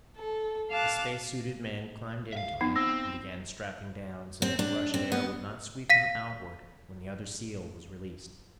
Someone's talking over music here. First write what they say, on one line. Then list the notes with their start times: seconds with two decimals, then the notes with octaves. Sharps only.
The spacesuited man climbed into it and began strapping down so that the rush of air would not sweep him outward when the other seal was released.
0.16 A4
0.70 F5 A5 D6 F#6
2.33 E5 F5
2.61 F2 B3 D#4
2.76 C4 E6 A#6
4.42 C4
4.59 D4
4.94 C4
5.12 B3
5.90 F5 A#6 B6 D#7